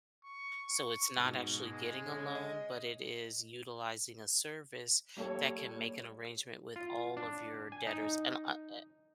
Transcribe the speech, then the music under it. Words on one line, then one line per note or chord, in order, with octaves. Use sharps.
So, it's not actually getting a loan, but it is utilizing a service that can make an arrangement with all of your debtors, and, uh eh
C#6
G#2 B2
G#3
C#3 C#4
D#5
G3 A#3 A4 C#5
F4
D4
G#5
D#4